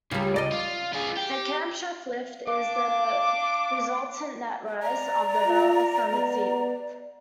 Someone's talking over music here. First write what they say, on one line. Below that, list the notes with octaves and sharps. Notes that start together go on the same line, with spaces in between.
The camshaft "lift" is the resultant net rise of the valve from its seat.
C#2 C#3 G3
D5 D#5
F4
F4 G#4
G4
D4 F5 D6
D5 A#5
F4
B3